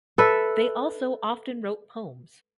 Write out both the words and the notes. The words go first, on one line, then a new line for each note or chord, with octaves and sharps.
They also often wrote poems.
A4 B4 E5